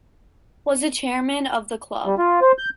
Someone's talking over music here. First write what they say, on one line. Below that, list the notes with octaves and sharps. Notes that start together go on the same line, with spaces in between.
Was a chairman of the club.
G3
F4
C5
G6